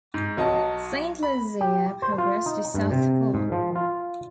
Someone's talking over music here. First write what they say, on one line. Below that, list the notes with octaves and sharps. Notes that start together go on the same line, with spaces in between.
Saint Lucia progress to South Pool.
G#2
B1 F#3 D#5 A5
B5
G4
C5
F4
D#4
G2
C3
G#2
F3
F4